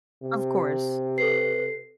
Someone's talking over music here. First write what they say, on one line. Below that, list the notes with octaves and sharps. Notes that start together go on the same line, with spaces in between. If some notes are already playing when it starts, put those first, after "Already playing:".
Of course.
C3
A4 B4 C7